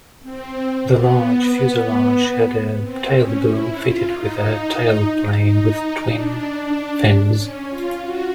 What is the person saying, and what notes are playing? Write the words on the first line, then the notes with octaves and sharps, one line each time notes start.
The large fuselage had a tailboom fitted with a tailplane with twin fins.
C4
B3
C4
C#4
E4
F4
D#4
D#4
D4
C#4
F4
F#4